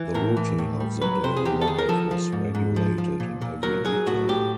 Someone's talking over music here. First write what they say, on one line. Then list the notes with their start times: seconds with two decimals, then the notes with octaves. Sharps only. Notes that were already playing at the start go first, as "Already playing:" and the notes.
The routine of their daily life was regulated in every detail.
Already playing: E3
0.14 A2 A#4
0.37 E3
0.58 A2
0.80 G3
1.02 F#3 B4
1.24 C3 C5
1.36 G#4
1.45 E2 G4
1.61 A4
1.67 D#3 G#4
1.78 A#4
1.89 F3 A4
2.11 F3
2.32 G#2
2.55 G#2
2.76 F3
2.98 F3
3.20 A#2
3.41 A#2
3.63 F#3 A#4
3.85 F#3 G#4
4.07 A2 F#4
4.29 A2 G4